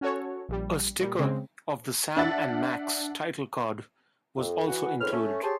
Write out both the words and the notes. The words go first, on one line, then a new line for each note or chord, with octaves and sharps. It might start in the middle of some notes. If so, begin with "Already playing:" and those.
A sticker of the Sam and Max title card was also included.
C#4 F#4 A4 C#5
A#1 G3
A#2 G3
C#3 G#3 C4
D4 E5 F#5 A6
F2
E3 F#4 F#5
F2 G#2 C#4 B4 C5 F6
A3 C#4
G4 G#4 C5 C#5 A5 C6